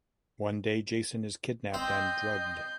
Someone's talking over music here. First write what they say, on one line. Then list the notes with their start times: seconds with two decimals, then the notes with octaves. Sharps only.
One day Jason is kidnapped and drugged.
1.74 C4 C5 D#5 C6 G6